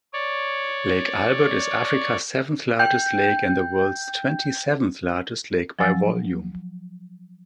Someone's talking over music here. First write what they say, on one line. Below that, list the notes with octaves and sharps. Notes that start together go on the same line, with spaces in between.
Lake Albert is Africa's seventh-largest lake, and the world's twenty-seventh largest lake by volume.
C#5 D5
G5 G6
F3 F#3 G#5 E6 A6